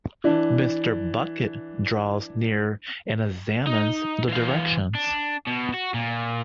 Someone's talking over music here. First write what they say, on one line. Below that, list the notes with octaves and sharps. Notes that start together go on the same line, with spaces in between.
Mr. Bucket draws near and examines the directions.
E3 D4
D#4
E3 F5
D4
B2
F#4
A#2